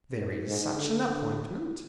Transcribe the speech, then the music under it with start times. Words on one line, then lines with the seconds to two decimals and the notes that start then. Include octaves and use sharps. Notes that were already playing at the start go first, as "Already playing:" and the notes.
"There is such an appointment."
0.16 G#2
0.47 G#2
0.78 D3
1.09 D3